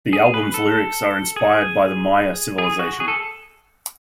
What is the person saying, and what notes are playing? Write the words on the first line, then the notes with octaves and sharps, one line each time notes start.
The album's lyrics are inspired by the Maya civilization.
G#4
B4
A4
G#4
G#4
F#4
G#4
A4